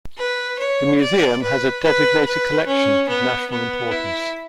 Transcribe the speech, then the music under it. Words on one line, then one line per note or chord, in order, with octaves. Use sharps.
The museum has a Designated Collection of national importance.
B4
C#5
D5
B4
B4
B4
C#4
B3
B3
E4